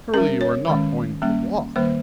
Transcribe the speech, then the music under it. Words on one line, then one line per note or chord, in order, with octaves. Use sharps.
"Surely you are not going to walk?"
G3 C#4 A#4
C#5
D#3 G#3 C#4
G3 A#3 C#4
D#3 G3 A#3 C5